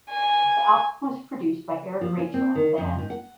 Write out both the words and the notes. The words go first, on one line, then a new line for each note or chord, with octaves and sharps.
The album was produced by Eric Rachel and the band.
G#5
F3
C#4
C4
D#3
F2
G#2
F#5